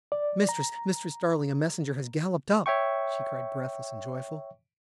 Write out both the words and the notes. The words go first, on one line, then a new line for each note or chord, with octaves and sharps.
"Mistress, mistress darling, a messenger has galloped up," she cried, breathless and joyful.
D5
A#5
C#5 E5 G5 C#6